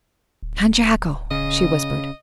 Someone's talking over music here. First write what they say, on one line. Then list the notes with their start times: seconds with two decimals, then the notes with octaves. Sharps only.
"John Jago!" she whispered.
0.43 D1
1.31 C#3 D#5